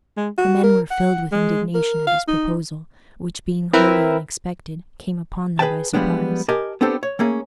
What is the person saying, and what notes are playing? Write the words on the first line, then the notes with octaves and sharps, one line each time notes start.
The men were filled with indignation at this proposal, which, being wholly unexpected, came upon them by surprise.
G#3
F#4
A#4
F#5
G#3
A#4
F5
D#4
C4 E4 A#4 B4 E5
G#4 B4 C5 E5 G5 A5
F3 G3 G#3 B3 D4
G4 A#4 D#5 G#5 A5
B3 C4 D4 G4 A4 C5
C#5
A3 A#3 C#4 G#4